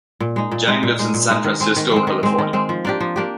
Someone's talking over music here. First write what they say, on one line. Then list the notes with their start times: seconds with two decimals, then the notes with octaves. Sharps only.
Jang lives in San Francisco, California.
0.20 A#2
0.36 G#3 D#4
0.52 A#2
0.67 G#3 D#4
0.83 A#2
0.99 G#3 D#4
1.14 A#2
1.29 G#3 D#4
1.44 D#3
1.60 G#3 C4
1.76 D#3
1.91 G#3 C4
2.07 D#3
2.23 G#3 C4
2.38 D#3
2.53 G#3 C4
2.69 F3
2.85 A#3 D4 G4
3.01 F3
3.16 A#3 D4 G4